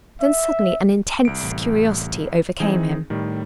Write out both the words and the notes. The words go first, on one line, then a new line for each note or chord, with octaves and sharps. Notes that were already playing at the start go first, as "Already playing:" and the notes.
Then, suddenly, an intense curiosity overcame him.
E5
C2 D7
A1
E3 C4 D#4 G#4
A2 D#3 G3